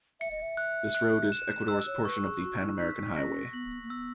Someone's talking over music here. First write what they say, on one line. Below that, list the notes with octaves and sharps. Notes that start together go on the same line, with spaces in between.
This road is Ecuador's portion of the Pan-American Highway.
E5 C#7
D#5
E5
F#6
F#6
E7
D#5 E6
C#5
B4 C#6
G#4
F#4 C#6
E4
D#4 B6
D#4
C#4 A#6
B3 F#7
A#3
B3 E6